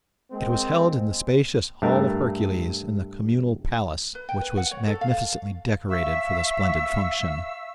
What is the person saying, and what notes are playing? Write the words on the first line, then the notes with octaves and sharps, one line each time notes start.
It was held in the spacious Hall of Hercules in the Communal Palace, which was magnificently decorated for the splendid function.
G#3 A#3 C4
G2 A3 A#4
B4
G5
B4
F#5
C#5
A4
F5
E5 F5 C#6 E6